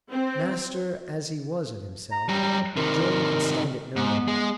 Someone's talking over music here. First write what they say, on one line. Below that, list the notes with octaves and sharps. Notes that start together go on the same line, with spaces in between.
Master as he was of himself, Joam could stand it no longer.
C4
A#5
F#2 G3 A#5
C3 D#3 A#4
G#2 B3
G#3